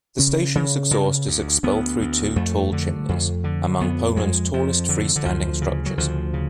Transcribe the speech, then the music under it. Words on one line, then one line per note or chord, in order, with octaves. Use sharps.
The station's exhaust is expelled through two tall chimneys, among Poland's tallest free-standing structures.
C#3 C#4
C#3
C#3
D2
D2 B3
D2
F2 A3
D3
F2
D3
F2 B3
F2 G#3
F2 F3
D3
D3
D2 F3
C#3
F#3
D2 F3
C#3